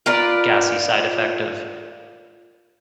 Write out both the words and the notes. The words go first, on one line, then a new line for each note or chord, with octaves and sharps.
gassy side effect of
F4 A#4 B4 D5